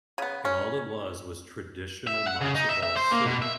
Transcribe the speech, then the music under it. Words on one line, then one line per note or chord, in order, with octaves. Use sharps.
and all it was was traditional matzo ball soup,
C#3 B3
C#4
E5
F#5
C#3
D#4
E5
E5
C5
A#3
B2
E5